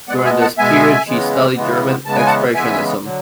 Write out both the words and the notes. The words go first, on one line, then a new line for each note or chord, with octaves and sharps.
During this period she studied German Expressionism.
B2 G#3 B3 D5 F#5
E5 G#5
F#5 A5
B2 G#3 B3 E5 G#5
C#3 E3 G#3 B3
C#3 E3 G#3 B3
C#3 E3 G#3 B3 A5
G#5
F#5 A5
C#3 E3 G#3 B3 E5 G#5
D3 F#3